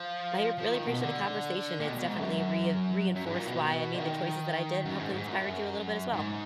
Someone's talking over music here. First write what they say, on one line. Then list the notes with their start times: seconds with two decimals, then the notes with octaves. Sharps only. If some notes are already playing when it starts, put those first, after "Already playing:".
I really appreciate the conversation. It's definitely rein reinforced why I made the choices that I did and hopefully inspired you a little bit as well.
Already playing: F3
0.58 F3
0.73 D#3
0.87 B2
1.01 D3
1.79 A#2
1.87 B2
1.97 B2
2.08 G#2
2.18 F#2
3.15 F#2
3.26 G#2
3.36 A#2
3.47 B2
3.94 D3
3.99 D#3
4.85 F#2
4.99 G#2
5.13 G#2
5.28 F#2
6.13 G#2